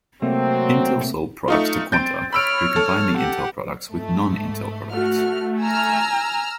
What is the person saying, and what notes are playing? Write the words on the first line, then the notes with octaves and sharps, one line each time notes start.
Intel sold products to Quanta, who combined the Intel products with non-Intel products.
C3 F#3 A3 A#3 C4
A3 D#4 F4
C4 G6 A6 D7
C#5 B5 E6 F6 D7
A4
G4 F#5
G#2 A3
A3 F#4 F6
G#5 A#5 E6 F6